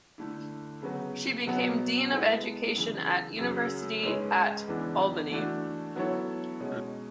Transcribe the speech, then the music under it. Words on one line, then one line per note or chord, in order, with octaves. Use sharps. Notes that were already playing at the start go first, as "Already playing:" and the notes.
She became Dean of Education at University at Albany.
D3 A3 E4
C#3 F#3 B3 F#4 B4
B2 F#3 B3
G#3 B3 E4 A4
F#2 C#3 E3
F#2 C#3 F#3
G#2 G#3 C#4 G#4 B4
E2 C#3 E3 B3 D4
E3 A3 D4 F#4
F#3 B3 E4 A4 C#5
B2 G#3 C#4